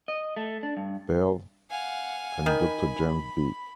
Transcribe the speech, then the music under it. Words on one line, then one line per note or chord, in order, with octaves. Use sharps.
Bell, and Doctor JamesB.
D#5
A3
D4
G2
F5 F#5 G#5
D#3 B5